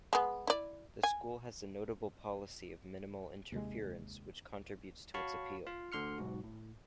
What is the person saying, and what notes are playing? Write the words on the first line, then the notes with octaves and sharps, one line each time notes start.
The school has a notable policy of minimal interference which contributes to its appeal.
G#3 B3
E4 D5
G#5
D#2 C3 G#3
F#4 C#5 F5 A5 B5 C#6
F4 F5
D2 D3 C6 F6 C#7
B1 G#2 F#4
A2